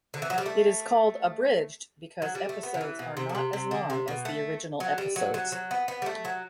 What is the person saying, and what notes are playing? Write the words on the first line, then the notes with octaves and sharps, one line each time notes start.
It is called "Abridged" because episodes are not as long as the original episodes.
D3
E3
F#3
G3
A3
F#3
G3
A3
B3
D3
E3
B2
C3
D3
C3
C3
D3
C3
B2
A3
F#3
G3
F#3
F#3
F#3
B3
B3
G3
A3
F#3